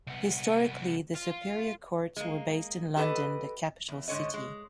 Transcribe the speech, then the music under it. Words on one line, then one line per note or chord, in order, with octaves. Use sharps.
Historically, the superior courts were based in London, the capital city.
C2 B3
F4
G#3 A#3
G4 A4 B4 D#5
E2
G#2 D3 C#5 D#5
G#3